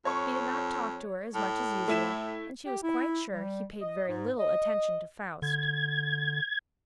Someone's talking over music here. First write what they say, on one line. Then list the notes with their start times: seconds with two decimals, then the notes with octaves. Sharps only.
He did not talk to her as much as usual, and she was quite sure he paid very little attention to Faust.
0.05 F2 C#5 C#6
1.35 A2
1.88 A3 E4 E7
2.66 G4
2.83 E4
3.33 G3
3.81 D#5
4.08 G#2
4.40 D#5
5.42 D3 G#6